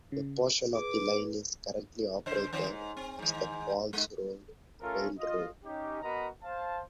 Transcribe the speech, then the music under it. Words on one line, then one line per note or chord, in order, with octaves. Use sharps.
A portion of the line is currently operated as the Falls Road Railroad.
C#3
G#4 B4 D6
C#3 C5
D#3 C#4 C5
G#2
C4
G#2 D#3
G#3 D#4
A3 C#4 F4 A4 A#4
F4 D#5
C#4 D#4 G4
B3 F#4 A#4 D#5 A#5 B5
C5 F5 A5